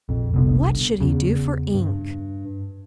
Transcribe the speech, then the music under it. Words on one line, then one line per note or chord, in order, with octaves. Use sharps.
What should he do for ink?
A#1 F2
G1 C2 B2 D3
E2 C#3
G2